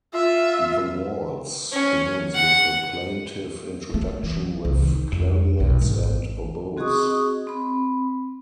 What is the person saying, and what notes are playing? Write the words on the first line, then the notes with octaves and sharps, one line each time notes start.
The waltz begins with a plaintive Introduction with clarinets and oboes.
F4 E5
C#4
F#5
A3
E3
C2
D#3
F2
B1
G#1
C4 F#4 G#4 D#5 C#6 D#6
C4 B5